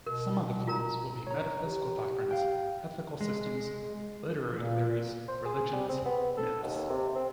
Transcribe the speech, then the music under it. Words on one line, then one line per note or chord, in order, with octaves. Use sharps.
Some of the forms will be metaphysical doctrines, ethical systems, literary theories, religions, myths.
B2 A#4
F4 A#4 A#5
C#5 A#5
G4
F5 G5
G#3
A#2
C5
G#4
G3
C4
B3
A4
D#2
C3
C4